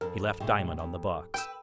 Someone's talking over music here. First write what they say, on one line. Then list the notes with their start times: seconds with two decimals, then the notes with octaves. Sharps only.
He left Diamond on the box.
0.01 F2 A#4
0.40 A2 C3 G#3
0.79 F2
1.34 B4 G5 E6